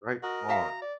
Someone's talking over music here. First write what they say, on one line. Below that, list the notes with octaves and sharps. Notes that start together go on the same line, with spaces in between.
Right on.
F#4 A#4 D#5
F#4 E5 F5 A#5
D5